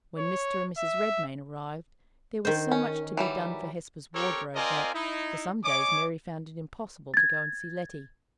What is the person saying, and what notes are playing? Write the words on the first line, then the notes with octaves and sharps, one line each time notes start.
When Mr. and Mrs. Redmain arrived, there was so much to be done for Hesper's wardrobe that, for some days, Mary found it impossible to go and see Letty.
C#5
E5
D#3 C5
C#4
E3 F#3 G3
C4 G4 A4 A#4 C#5 D6
C4 F4 A#4 D5 D#5 G#5
D#4 E4
C#5 D#5 G#5 D6
G#6 A6